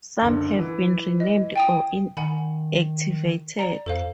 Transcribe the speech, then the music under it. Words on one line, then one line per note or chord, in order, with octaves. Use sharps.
Some have been renamed or inactivated.
F#1 D3
E3
D#5
G5 G#5 D#6
D#3 F#5 G#5 B5
D5 A#5
F2 A4 C5 F5